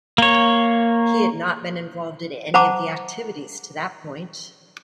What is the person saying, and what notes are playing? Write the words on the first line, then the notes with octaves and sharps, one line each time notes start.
He had not been involved in any of the activities to that point.
A#3 C#5
C5 F#5 A5 A#5 D6